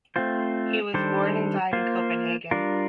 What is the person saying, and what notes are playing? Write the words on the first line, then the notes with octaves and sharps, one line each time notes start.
He was born and died in Copenhagen.
A3 C4 F4 C5
D#3 G3 D4 A4 C5
A#3 F4 C5
G3 D4 F4 A#4